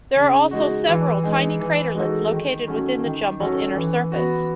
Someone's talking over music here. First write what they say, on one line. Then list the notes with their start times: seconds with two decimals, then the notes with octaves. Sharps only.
There are also several tiny craterlets located within the jumbled inner surface.
0.16 C#3
0.51 G#3 D#4 F#4
0.87 E3
1.23 G#3 D#4 G#4
1.60 E3
1.95 G#3 D#4 F#4 A4
2.32 D#3
2.68 F#3 A3 C#4
3.03 D#3
3.40 F#3 C#4 F#4 A4
3.75 E3
4.12 B3 F#4